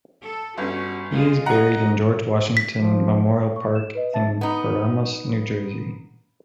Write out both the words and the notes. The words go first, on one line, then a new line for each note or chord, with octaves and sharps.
He is buried in George Washington Memorial Park in Paramus, New Jersey.
A4
G1 C#4 F#4
G#3 F4 G#4
D#5 F#5 A#5
B6
F3
C#6
E7
B4 D#5
E5 A5 A6
B3 D#4